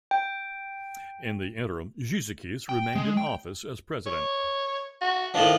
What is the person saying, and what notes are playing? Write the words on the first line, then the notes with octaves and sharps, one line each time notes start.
In the interim, Gizikis, remained in office as President.
G5
G5
G#3
G5
C#5
F#4
A2 D#3 F3 D4